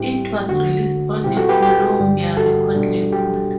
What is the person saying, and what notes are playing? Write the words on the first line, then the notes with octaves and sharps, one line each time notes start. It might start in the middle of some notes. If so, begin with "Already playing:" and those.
It was released on the Columbia record label.
Already playing: A2 G3 C4 E4 G4
E2 D3 A3 F#4
B2 G3 C4 E4 G4
F#4 A4
G4 B4
G4
G2 D3 G3
F#4 A4
B2 G3 D4
G4